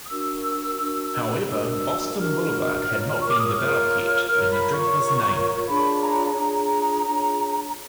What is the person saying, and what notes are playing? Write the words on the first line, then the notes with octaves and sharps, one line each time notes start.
However, Boston Boulevard had not been developed yet when the drink was named.
D#6
D4 F#4 A#4 E6
D4 F#4 A#4
D4 F#4 A#4 E6
D4 F#4 A#4 F6
F4 A#4 C#5
C#6
D6
D#6
E6
F4 A#4 C#5 F6
F4 A#4 C#5 F6
B5
C#6
F4 A#4 C#5
D4 F4 G#4 C#5 B5
A#5
D4 F4 G#4 C#5 A#5
D4 F4 G#4 C#5